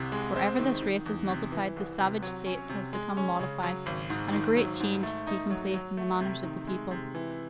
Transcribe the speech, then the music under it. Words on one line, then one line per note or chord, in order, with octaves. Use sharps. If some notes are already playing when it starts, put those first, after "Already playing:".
Wherever this race has multiplied the savage state has become modified, and a great change has taken place in the manners of the people.
Already playing: C2 C3
G#3
C4
D#3
D#3
E2
C3
E3
C2
C3
F#3
C#4
C3
G#3
C#4
C#3
F#3
G#1
G#2
D#3
F#3
G#2
A3
D#4
F#3
F#3
A3
C3
D#3
G#3
C3
E3